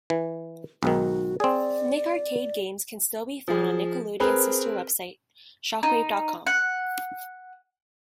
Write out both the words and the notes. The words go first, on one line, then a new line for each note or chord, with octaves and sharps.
Nick Arcade games can still be found on Nickelodeon's sister website, Shockwave dot com.
E3
B1 G#2 D#3 F#4
C4 G#4 D5
F3 G#4
C4 G#4 A#4 B4
D#4
F#5